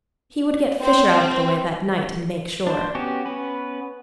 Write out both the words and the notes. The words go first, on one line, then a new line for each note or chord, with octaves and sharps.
He would get Fisher out of the way that night and make sure.
C4
D4 C5
B3 C#4 F#4 G4
B3 C#4 B4